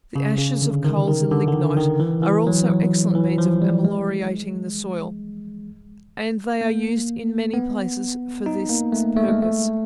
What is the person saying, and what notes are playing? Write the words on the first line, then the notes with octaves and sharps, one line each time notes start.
The ashes of coals and lignite are also excellent means of ameliorating the soil, and they are used in many places for this purpose.
C#3
C#3
D3
D#3
D#3
D3
D3
D#3
D#3
E3
E3
F#3
F#3
E3
F3
G3
G#3
A#3
B3
D#4
A#3
A3
A3
G#3
A3